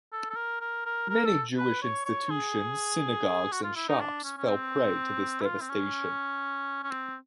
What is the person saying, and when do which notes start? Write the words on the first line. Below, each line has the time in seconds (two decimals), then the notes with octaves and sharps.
Many Jewish institutions, synagogues and shops fell prey to this devastation.
0.12 A4
0.30 A4
0.36 A#4
0.61 A#4
0.85 A#4
1.09 A#4
1.25 A4
1.57 B4
1.82 C#5
2.05 C#5
2.30 G#4
3.52 F#4
3.63 F4
3.76 E4
3.88 D#4
4.00 D4
4.24 C#4
4.37 C#4
4.48 C4
5.41 E4
5.45 F4
5.61 C4
5.69 C#4
6.83 C#4
6.91 C4